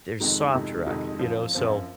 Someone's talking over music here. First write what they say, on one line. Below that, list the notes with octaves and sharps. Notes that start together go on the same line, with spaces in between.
there's soft rock, you know? So,
F2 C3 D#3 G#3 D#4
F2 C3 D#3 G#3 D#4
F2 C3 D#3 G#3 D#4
F#2 F3 C4 F4
F#2 F3 C4 F4